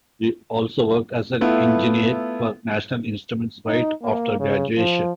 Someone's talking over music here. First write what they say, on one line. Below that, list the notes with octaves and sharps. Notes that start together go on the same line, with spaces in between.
He also worked as an engineer for National Instruments right after graduation.
A3 B3 E4 F4
D#4
A#3
C#3
F3